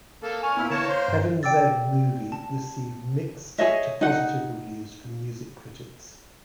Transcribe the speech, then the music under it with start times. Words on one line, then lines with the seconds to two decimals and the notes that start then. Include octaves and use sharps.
Heaven'z Movie received mixed to positive reviews from music critics.
0.23 A#3 A4
0.43 G#5 C#6 F6
0.57 A#2 A#3 B3 E4
0.70 D3 E3 A#3 A#4 C#5 A5
0.88 C5 C#5
1.08 G2
1.43 D5 G5 D6 E6 A6
2.32 A5
3.58 G#4 C#5 D#5 E5
4.01 D#4 F#5